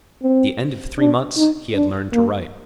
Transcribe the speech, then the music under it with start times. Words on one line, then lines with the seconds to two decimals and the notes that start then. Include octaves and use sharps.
At the end of three months he had learned to write.
0.22 C4
0.98 D4
1.37 D#4
1.75 D4
2.13 A#3